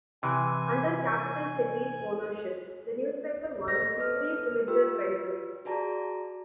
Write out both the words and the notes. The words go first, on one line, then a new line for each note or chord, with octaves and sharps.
Under Capital Cities ownership the newspaper won three Pulitzer Prizes.
C3 E3 G#5
C5 D#5 A#6
B3 A4 B4 F6
F4 G4 B4 E6
F#4 G#4 D5 A5 A#5